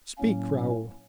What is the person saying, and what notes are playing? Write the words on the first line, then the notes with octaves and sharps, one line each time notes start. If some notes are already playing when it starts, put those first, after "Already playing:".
"Speak, Raoul."
A2 F#3 A#3 C#4